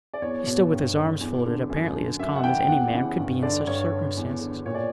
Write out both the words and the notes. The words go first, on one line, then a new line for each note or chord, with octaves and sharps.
He stood with his arms folded, apparently as calm as any man could be in such circumstances.
D5
E2 C#5
B2
G2
D3
E2
D3
F#2
D3
F#2 E5
F#5
E3 G5
E2 F#5
C#3 E3
G2
D3 D5
G2 C#5
D3
E2
D3
A#2 C#5
D5